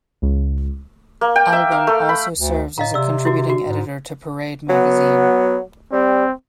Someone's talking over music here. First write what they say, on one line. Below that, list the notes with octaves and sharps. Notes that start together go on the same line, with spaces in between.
Albom also serves as a contributing editor to "Parade" magazine.
C#2
A#3
G5
E5
F5
A3
B5
D2
A2 D#5 F5 A#5
C3 D5 E6
E4 F#4
F#4
G#2
F#3 B3
G3 C4